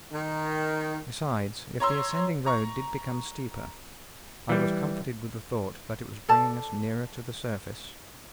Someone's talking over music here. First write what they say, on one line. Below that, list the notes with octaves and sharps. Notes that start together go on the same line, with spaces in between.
Besides, if the ascending road did become steeper, I was comforted with the thought that it was bringing us nearer to the surface.
D#3
C#5 A#5 C6 E6
A#5 C#6
E3 G3
A4 D5 A5